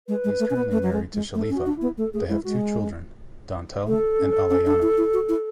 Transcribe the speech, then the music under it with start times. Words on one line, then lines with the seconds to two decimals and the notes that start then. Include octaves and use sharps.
He is currently married to Shalifa; they have two children, Dantel and Alayana.
0.08 G#3 B4
0.24 G#3
0.39 A3
0.50 C#4
0.56 B3
0.71 A3
0.83 F#3
0.93 G#3
1.14 G#3
1.35 A3 A4
1.50 C#4
1.55 F#4
1.66 D4
1.77 B3 E4
1.98 A3 A4
2.13 A3 G#4
2.29 G#3 E4
2.44 G#3 F#4
3.87 A3 A4
4.19 C#4
4.50 C#4
4.66 D4
4.82 E4
4.97 E4
5.13 F#4
5.29 E4